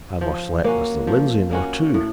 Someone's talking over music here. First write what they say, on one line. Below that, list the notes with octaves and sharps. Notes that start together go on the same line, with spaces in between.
I must let Mr. Lindsey know, too.
F3
A#3 C#4 F#4
F3
A#3 C#4 F#4
A2